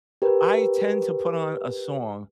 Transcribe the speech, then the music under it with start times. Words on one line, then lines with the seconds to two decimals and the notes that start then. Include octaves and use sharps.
I tend to put on a song
0.22 G4 A#4 B4